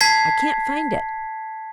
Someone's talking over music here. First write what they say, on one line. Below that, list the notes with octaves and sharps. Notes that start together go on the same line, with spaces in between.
I can't find it.
A5 G#6 B6 C7